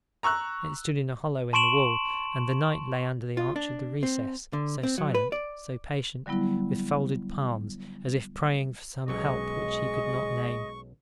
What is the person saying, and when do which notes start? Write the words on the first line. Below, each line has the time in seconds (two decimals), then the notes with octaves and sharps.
It stood in a hollow in the wall, and the knight lay under the arch of the recess, so silent, so patient, with folded palms, as if praying for some help which he could not name.
0.23 A#5 C#6 E6 F#6
1.53 A5 C6 C#6 D7 E7 F#7
3.37 F4
3.56 D4
4.03 C4
4.53 D3
4.83 C4
4.98 F#3
5.14 B4
5.32 D5
6.26 D3 F#3 G3 B3 E4
9.08 B1 F#3 G#3 C#4 D#5 C#6